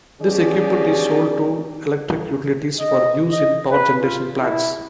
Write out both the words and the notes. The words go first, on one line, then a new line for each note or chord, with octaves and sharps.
This equipment is sold to electric utilities for use in power generation plants.
G2 B2 C#4 G4 G#4 D5
D#5
D#5
B4
F4
E4